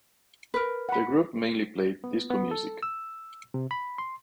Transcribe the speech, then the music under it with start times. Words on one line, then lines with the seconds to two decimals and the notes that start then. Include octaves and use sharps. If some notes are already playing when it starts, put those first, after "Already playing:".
The group mainly played disco music.
0.54 A#4 B4
0.89 F#5 B5
2.04 B3
2.31 B3
2.51 A4
2.83 E6
3.54 C3
3.71 B5
3.98 C6